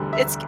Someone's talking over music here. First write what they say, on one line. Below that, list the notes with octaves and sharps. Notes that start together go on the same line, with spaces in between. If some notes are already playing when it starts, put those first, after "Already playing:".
it's g
Already playing: E1 D2 D3 G3
E5